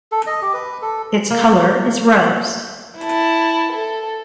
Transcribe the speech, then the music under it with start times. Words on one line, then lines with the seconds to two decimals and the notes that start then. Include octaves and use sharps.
Its color is rose.
0.12 A4
0.27 D#5
0.42 G4
0.54 B4
0.82 A4
1.30 A#3
2.99 E4 A5
3.72 A4